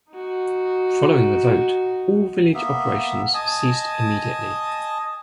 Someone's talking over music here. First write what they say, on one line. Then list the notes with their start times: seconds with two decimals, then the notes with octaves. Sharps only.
Following the vote, all village operations ceased immediately.
0.12 D#4 F#4
2.54 A#3 B3 E5
3.34 D#5 G#5 A5 D#6